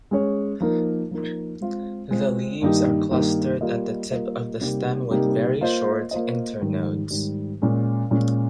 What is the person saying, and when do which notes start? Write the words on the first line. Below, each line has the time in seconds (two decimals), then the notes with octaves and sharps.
The leaves are clustered at the tip of the stem with very short internodes.
0.11 G#3 C#4 G#4 C#5
0.60 F3 A#3 D#4 A#4
1.11 F3 A#3 D#4 A#4
1.61 G#3 C4 F4
2.11 G#3 C4 F4
2.62 G2 D#3 A#3 D#4 G4
3.11 G2 D#3 A#3 D#4 G4
3.61 G3 A#3 F4 A#4 D#5
4.11 G3 A#3 F4 A#4 D#5
4.61 C3 G3 A#3 D#4 G4
5.11 C3 G3 A#3 D#4 G4
5.61 A#3 F4 C5 D#5
6.11 A#3 F4 C5 D#5
6.61 G#2 D#3 G3
7.11 G#2 D#3 G3
7.62 A#2 G#3 C#4
8.11 A#2 G#3 C#4